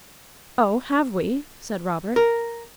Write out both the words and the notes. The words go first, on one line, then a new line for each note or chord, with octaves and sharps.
'Oh, have we?' said Robert.
A#4